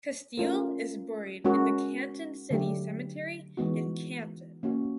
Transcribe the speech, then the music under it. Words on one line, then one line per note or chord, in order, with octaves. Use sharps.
Casteel is buried in the Canton City Cemetery in Canton.
A3 C#4 F4 A#4
G#3 C#4 F#4 A#4
D3 F#3 A3 D4 G4
E3 G#3 B3 D#4 F#4
A#3 C#4 F#4